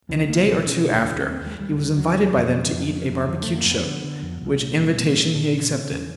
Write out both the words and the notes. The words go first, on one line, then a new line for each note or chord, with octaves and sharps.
In a day or two after, he was invited by them to eat a barbacued shoat, which invitation he accepted.
C#2 E3
C#2 A#3
B2 C4
B2 C#4
C#2 D4
D#2 D4
D#2 C#4
C4
D#2
G#3
D#2 G3
D3 G3
F3
D#2 F#3
C#3
F2
C#3
F2
C#3
F2
F2
F2 A3
A#3
F2
B3
D3
D3
F2
C2
A#2
C2
C#4
A#2 C4
A#2 C#4
A#2 D4
C#3 C#4
C#3 C4
E2 C#4